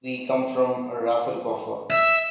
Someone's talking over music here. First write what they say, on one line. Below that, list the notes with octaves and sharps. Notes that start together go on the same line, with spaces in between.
We come from Rafelcofer.
E5